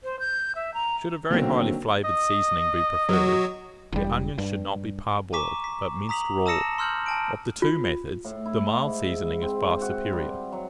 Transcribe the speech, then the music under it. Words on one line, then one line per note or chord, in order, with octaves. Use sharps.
Should a very highly-flavoured seasoning be preferred, the onions should not be parboiled, but minced raw: of the two methods, the mild seasoning is far superior.
C5
G6
E5
A#5
B2 D3 D#3 F#3 A#3 C4
D#5
F#3 F#4
E1 G3
G2
G#5 A#5 C#6 D6 B6 E7
B6
A#5 D#6 B6 F7 F#7
A5 D#6 E6 A#6 C#7 E7
C6 E6 F6 G6 C#7 F#7
G#5 A5 D7
F4
A2
E4
G#2
C4
F#4
G3
F#3